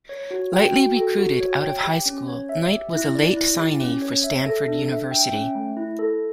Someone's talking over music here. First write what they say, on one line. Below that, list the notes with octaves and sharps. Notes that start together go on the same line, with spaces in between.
Lightly recruited out of high school, Knight was a late signee for Stanford University.
C#5
F#4
G5
F#4
A4
F#4
C#5
G5
G4
C#4
C#5
E5
G4
E4
D5
E4
G4
C#4
C#5
E5
A4
D4
E5
G5
C#4
A3
E4
A4